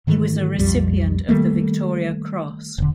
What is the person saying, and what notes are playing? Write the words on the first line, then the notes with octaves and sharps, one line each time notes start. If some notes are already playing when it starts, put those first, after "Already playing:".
He was a recipient of the Victoria Cross.
G#2 D#3 E3 A3
B1 F2 G3
D#3 G3 A3 A#3
E1 D3